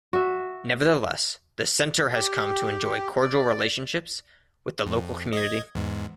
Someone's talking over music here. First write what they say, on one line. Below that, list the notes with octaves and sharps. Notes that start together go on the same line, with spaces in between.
Nevertheless, the centre has come to enjoy cordial relationships with the local community.
F#4 E5
G4
D5
F2
D#5 G#6
E2 G#2